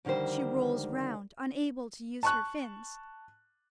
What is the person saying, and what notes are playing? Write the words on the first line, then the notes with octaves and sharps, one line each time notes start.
She rolls round, unable to use her fins.
F2 D3 D#3 G3 C5
A5 C#6 F#6